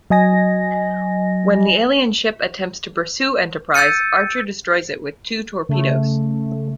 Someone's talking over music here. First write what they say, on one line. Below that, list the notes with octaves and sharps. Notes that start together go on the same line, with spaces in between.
When the alien ship attempts to pursue "Enterprise", Archer destroys it with two torpedoes.
F#3 D#5 G#5 A#6
E6 G6 A6 C#7 D#7
C#3 A3